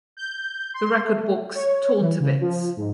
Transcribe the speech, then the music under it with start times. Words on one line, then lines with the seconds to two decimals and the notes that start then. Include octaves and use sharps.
The record books torn to bits.
0.17 G6
0.74 C6
1.05 A3
1.55 C#5
2.01 E3
2.20 C#3
2.41 F3
2.77 G#2